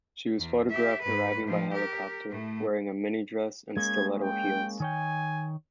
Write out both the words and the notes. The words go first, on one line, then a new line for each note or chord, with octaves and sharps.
She was photographed arriving by helicopter, wearing a mini-dress and stiletto heels.
E2
G4 E5
G#2 B4
A2 F3
G4 A#4
A2 A3
G#3 A#3 C#4 G#6
G5
D#3 C#5 G5 G#5